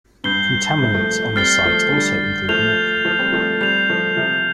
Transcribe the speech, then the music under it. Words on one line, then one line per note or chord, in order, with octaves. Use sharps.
Contaminants on the site also include mercury.
G2 G6 C7 G7
G2 C3
F3 A3
G3 C4 F6 A6 C7 G7
F3 A3
D3 G3
F3 A3 G6 F7
F3 A3
G3 C4
F3 A3
G3 C4 G6 C7 F7
F3 A3
C3 F3